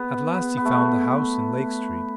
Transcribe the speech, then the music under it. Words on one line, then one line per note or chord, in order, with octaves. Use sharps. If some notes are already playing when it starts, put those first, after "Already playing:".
At last he found the house in Lake Street.
Already playing: B3
B3
B3
A3
B3